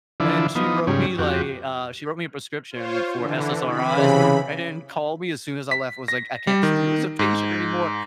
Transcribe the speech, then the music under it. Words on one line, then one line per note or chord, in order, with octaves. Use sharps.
And she wrote me like, uh, she wrote me a prescription for SSRIs, and then called me as soon as I left, was like, "I can't see you as a patient anymore."
D3 E3 F3 D4 E4
F3 B3 D#4
G#2 C#3 G3 C#4
F2 F#4 G4
F4 C5 C#5
D3 E3
C3 E3 B5
C#3
B6
A#6
G3
D#3
G#2